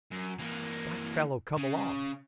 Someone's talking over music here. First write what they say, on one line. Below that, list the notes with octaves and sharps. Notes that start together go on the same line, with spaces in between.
"Black fellow come along."
F#2
E3 A#3
C#3